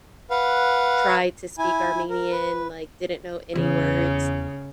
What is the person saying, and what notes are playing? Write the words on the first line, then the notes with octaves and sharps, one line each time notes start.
tried to speak Armenian, like didn't know any words,"
B4 F5 F#5
E4 G#5
A#4
B4
E2 C#3 E4